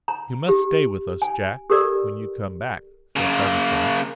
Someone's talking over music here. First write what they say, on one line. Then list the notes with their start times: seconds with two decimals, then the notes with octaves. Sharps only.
"You must stay with us, Jack, when you come back," said Feversham.
0.08 A#5
0.49 G4
1.22 G#5
1.70 G4 A4 A#4 D5
3.16 C#3 A#3